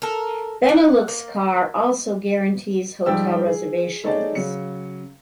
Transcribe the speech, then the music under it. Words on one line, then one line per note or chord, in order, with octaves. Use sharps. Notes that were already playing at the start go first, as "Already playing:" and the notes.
Beneluxcar also guarantees hotel reservations.
A4 A#4
F#5
A#3
G#2 F3 G3 D5 G5 E6
G#4
A3 D#4 G#4 C#5 D5 A5
C#3 F#3 C#7